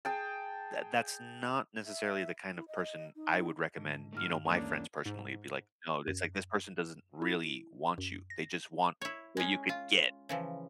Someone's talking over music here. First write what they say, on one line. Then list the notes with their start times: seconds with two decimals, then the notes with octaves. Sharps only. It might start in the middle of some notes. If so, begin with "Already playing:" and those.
tha that's not necessarily the kind of person I would recommend. You know, my friends, personally, would be like, "No. It's like this person doesn't really want you, they just want what you could get.
0.05 G#4 G5 A5
1.86 E5
2.56 E4
2.68 D#5
3.16 D#4
3.77 G#2 D3
4.13 G2 A3 D#4 F#4 F6
4.46 D#2 E3 G#3 A#3 C#4 D4
5.06 G#2
6.08 F#2
7.22 E4
7.98 F#2
8.30 A#6
9.01 E4 C#5
9.37 G#3 C#4
9.69 F4
10.29 C#3 E3 F3